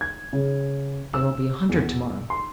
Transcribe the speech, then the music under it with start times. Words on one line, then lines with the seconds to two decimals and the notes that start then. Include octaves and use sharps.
"There will be a hundred to-morrow."
0.01 G#6
0.33 C#3
1.14 E6
1.69 E2
2.30 C6